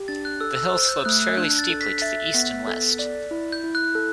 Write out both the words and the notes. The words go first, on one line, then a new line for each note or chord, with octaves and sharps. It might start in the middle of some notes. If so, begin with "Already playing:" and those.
The hill slopes fairly steeply to the east and west.
Already playing: G4
D4 A6
F#6
A4 E6
E6
C5 E6
G6
A3 F#6
F#6
D4 G6
A6
A4
B6
E5 A6
B3
A4
D5
E4
G6
E4
F#6
A4